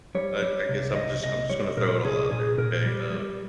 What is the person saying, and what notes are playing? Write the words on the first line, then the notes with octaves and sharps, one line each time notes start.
I I guess I'm just I'm just gonna throw it all out there. Okay? Uh,
G3 C#5
G3
C2
C2 D#5
C2 D#5
G3 C#5
A#2 A#4
C2 G#4
A#2 G#4
A#2 A#4
G3
G3